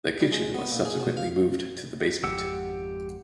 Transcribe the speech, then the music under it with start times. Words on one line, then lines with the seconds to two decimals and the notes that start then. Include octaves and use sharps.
The kitchen was subsequently moved to the basement.
0.21 G3
0.32 G#3
0.54 B3
0.71 A#2
0.85 G#4
1.00 B2
1.17 F5
2.24 G#1 F2 G4 F#5 E6